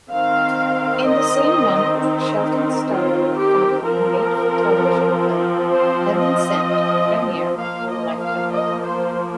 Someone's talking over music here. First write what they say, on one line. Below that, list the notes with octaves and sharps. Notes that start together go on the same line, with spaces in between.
In the same month, Shelton-starrer family made-for-television film "Heaven Sent" premiered on Lifetime.
D#3 C4 F5
D#5
D#4
F4
G4
F3 C4 A#4
C5
D#5
F3 A#3 F5
D#5
F5
D#5
C5